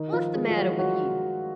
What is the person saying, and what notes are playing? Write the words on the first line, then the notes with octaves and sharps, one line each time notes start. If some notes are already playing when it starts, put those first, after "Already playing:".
What's the matter with you?
Already playing: D#3 D#4
F3 F4
G#3 G#4
F4
F#3 F#4
F#3 F#4